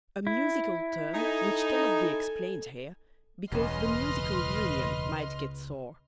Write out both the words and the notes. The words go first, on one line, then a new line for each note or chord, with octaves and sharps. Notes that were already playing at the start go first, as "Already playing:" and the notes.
A musical term which cannot be explained here, because the Musical Union might get sore.
E4
D#4 A4 G#5
E1 C#2 C#3 B4 D#5 C6 F6